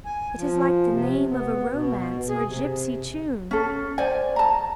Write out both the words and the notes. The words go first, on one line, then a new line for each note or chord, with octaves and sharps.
It is like the name of a romance or a gypsy tune.
G#5
F3
C3
B3
B2
G#4
C3
C#4 A4
C5 D5 G#5
A5 A#5